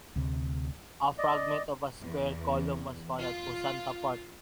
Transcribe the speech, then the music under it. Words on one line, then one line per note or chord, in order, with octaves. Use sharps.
A fragment of a square column was found at Fuensanta park.
D2 C3
D5 D#5
E2
F4